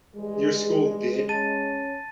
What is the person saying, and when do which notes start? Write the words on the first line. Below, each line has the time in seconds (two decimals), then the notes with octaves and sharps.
your school did
0.15 E3 G3 G#3 G#4
1.29 C#4 A5 A6 D#7